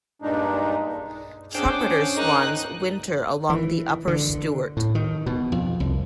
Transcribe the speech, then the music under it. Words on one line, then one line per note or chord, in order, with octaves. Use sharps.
Trumpeter swans winter along the upper Stuart.
G2 A#2 G#3 D4 D#4
C#4 D4 G#4 C5 F#5 G5 D6
A#3 D#4 F#6
E3
D3
A2
D#3
B2
F2
C2